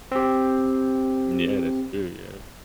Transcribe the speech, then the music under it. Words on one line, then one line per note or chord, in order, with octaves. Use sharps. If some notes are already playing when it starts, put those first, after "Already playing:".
Yeah, that's true, yep.
C4 G4